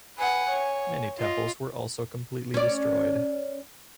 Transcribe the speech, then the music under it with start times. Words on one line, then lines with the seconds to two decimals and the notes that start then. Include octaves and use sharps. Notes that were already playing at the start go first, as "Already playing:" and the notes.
Many temples were also completely destroyed.
0.18 B4 F#5 G#5
0.49 C#5
1.19 F4 D#5
2.54 C#4 D5